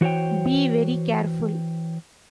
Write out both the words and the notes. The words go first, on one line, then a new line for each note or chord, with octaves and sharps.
Be very careful.
E3 F#4 C5 C#5 G5